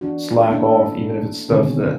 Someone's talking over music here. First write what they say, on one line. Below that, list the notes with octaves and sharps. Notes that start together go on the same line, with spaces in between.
slack off even if it's stuff that
E3 D4 F#4
A3 A#3 C#4 D4 E4 A4
B2 D3 D#3 G#3 C4 C#4